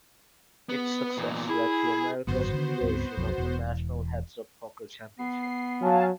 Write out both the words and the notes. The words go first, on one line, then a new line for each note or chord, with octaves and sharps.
Its success led to America's creation of the National Heads-Up Poker Championship.
B3
E2 A#2
E4 G#4
G#1 F#2 D3 B3 F#4 C5
D3 D#3 D4
C#2 G2 C4
B1 F2
E1 E2 E3
B3 C7
F#3 F5 G#5 A5